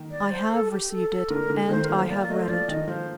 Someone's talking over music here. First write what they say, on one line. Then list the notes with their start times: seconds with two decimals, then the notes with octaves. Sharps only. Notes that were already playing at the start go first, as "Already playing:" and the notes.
"I have received it, and I have read it."
Already playing: D#3
0.11 D5
0.30 C5
0.51 A4
0.66 A4
0.71 G4
0.90 A4
1.10 A4
1.30 D3 A#4
1.50 D3
1.69 D#3 C5
1.84 A#4
1.89 F3 C5
2.09 A#3 D5
2.29 A3 D#5
2.40 C5
2.48 F3 D5
2.68 D#3 D#5
2.87 F3 C5